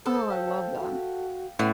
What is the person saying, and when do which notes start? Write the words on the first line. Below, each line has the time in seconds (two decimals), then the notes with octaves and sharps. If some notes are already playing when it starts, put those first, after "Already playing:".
Oh, I love that.
0.06 A4 C5
0.30 F5 G5
0.79 F#4
1.59 A2 B3 C#4 F#5